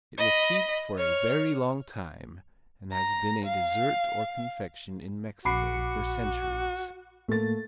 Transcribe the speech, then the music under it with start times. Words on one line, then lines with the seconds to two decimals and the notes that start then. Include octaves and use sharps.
It will keep for a very long time and has been a dessert or confection in Mexico for centuries.
0.18 D#5 B5
0.98 C#5 F6
2.92 A#5
3.44 F5
5.45 A#1 F#4 B5 D6 C7 C#7
7.28 A2 A3 A#3 A6